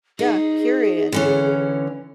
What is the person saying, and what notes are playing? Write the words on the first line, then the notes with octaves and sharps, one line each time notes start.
Yeah, period.
D#4 G#4
D3 E3 C#4